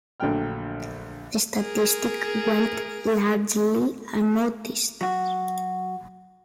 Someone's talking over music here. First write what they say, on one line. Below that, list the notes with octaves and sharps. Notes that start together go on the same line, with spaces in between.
The statistic went largely unnoticed.
A#1 D3 F#3 A3 G5 F6
G#4 A#4
F#3 F#4